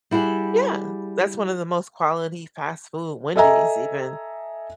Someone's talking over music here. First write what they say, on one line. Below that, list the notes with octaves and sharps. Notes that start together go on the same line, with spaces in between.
Yeah, that's one of the most quality fast food Wendy's even.
G3 E4 F#4 G#4
A4 D#5 E5 G#5 A#5